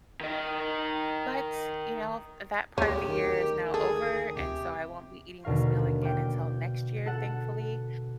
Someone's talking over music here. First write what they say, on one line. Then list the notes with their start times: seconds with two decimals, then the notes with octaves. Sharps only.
but, you know, that part of the year is now over, and so I won't be eating this meal again until next year, thankfully.
0.21 D#3 D#5
2.78 D2 A3 C#4 G4 G#4
3.08 D#3
3.74 G#4 A4
4.36 C3 G4
5.44 D#2 B2 D3 A#4 F5 C#6
6.02 G5 D6
7.06 A4 F#5